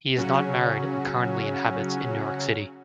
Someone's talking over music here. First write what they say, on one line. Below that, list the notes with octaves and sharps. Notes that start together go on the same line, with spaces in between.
He is not married and currently inhabits in New York City.
C#3 F#3 C#4 F#4